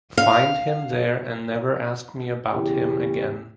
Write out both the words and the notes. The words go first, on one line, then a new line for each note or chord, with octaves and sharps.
Find him there and never ask me about him again!
F5
E2 C#3 C#4 E4 G4